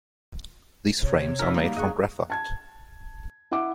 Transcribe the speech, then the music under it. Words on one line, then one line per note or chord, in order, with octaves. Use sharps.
These frames are made from graphite.
C3 C#5
D#4 F#4 A#4 E5
G3 A#3
F2 G#4 D#5 F#5 C#6
A5 G#6
E4 E5 F#5 D6